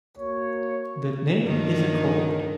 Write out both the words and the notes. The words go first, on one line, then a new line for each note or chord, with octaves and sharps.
The name is a cord.
A#3 F#4 C#5
G2 D#3